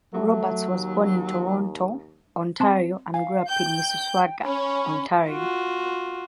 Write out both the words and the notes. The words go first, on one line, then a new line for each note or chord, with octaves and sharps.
Roberts was born in Toronto, Ontario and grew up in Mississauga, Ontario.
F#3 A3
D#2
C4 A5 C6
F5 G#5
G5 G6
C#4 B5
F4 F#4